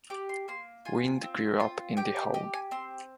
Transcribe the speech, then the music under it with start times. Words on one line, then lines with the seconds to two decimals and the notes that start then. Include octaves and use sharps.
Wind grew up in The Hague.
0.10 G4 D6
0.29 C6
0.48 A#3 C6
0.85 F4 G#5
1.23 C4
1.60 F4
1.97 G4 G5
2.16 G5
2.34 G4 D#5
2.54 G#5
2.71 C4 C6